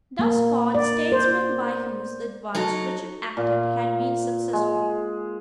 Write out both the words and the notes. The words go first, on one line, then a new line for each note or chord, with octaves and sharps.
Thus far the statesmen by whose advice Richard acted had been successful.
A#3
D5
C5
F#3 D#4 A4
A#2
G#3